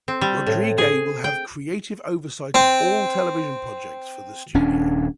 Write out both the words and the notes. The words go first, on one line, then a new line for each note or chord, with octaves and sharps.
Rodrigue will have creative oversight of all television projects for the studio.
C4
G3
A2
G#4
G5
C4
D#1 C#4 D4